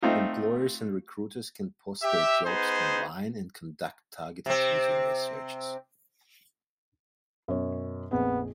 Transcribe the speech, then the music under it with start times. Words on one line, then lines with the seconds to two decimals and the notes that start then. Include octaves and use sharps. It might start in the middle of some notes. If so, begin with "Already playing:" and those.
Employers and recruiters can post their jobs online and conduct targeted resume searches.
0.03 A3 C4 D#4 F4
2.03 G4 E5
2.46 B3 D#4 G#4 C5
4.46 C3 C4
7.48 F#2 B2 C#5
8.12 A#1 F2 B3 G#4